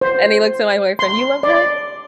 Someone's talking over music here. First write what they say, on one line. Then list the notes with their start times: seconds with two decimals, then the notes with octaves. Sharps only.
and he looks at my boyfriend, "You love her?"
0.01 C5
0.99 C6
1.43 D5